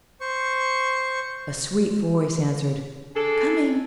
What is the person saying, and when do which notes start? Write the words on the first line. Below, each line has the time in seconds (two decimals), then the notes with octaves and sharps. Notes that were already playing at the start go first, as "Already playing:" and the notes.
A sweet voice answered, "Coming!"
0.21 C5 C#6
3.15 D4 G#4 A4